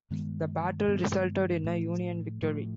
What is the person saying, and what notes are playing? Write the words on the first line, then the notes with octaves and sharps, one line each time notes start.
The battle resulted in a Union victory.
G2 D#3 G#3 B3
G2 D#3 G#3 B3
A2 F3 A3
A2 F3 A3